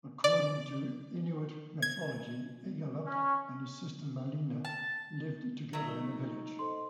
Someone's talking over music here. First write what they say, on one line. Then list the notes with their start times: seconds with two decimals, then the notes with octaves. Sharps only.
According to Inuit mythology, Igaluk and his sister Malina lived together in a village.
0.24 D5
1.82 G#6
3.07 C#4
4.65 A5
5.73 F#3 A3 D#4
6.59 A4 C5 D#5 C6